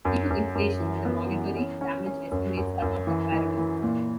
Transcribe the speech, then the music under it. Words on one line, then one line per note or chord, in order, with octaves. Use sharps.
Due to inflation, the monetary damage estimates are not comparable.
F#2
F#2
F#2
E3
B3
E3
C#4
C#4
C#4
F#2
F#2
F#2
E3
E3
E3
A#2